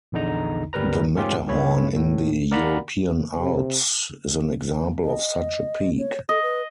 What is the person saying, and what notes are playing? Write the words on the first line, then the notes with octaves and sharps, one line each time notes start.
The Matterhorn in the European Alps is an example of such a peak.
A#1 E2 D3 D#4 A#5
G1 D2 G3 A#4 B4 A#5
G#2 A#3 C#4 F4 G4
C#2 G2 A#3 C#4 C#5 B5
A2
A#4 D5 F5 F#5 A#5 B5
C3
D#5
C#5
A4 D#5
B4